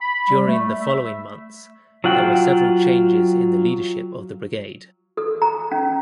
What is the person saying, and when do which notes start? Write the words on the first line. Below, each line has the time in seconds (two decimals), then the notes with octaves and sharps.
During the following months there were several changes in the leadership of the brigade.
0.01 B5
0.29 G3
0.47 A3
0.80 E5
2.04 F#3 F4 F#5 G5
5.17 A4
5.42 A#5
5.72 C#4